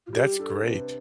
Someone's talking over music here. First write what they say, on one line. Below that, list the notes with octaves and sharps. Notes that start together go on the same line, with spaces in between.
That's great.
F4
G3 G4
D4 A4
C3 B4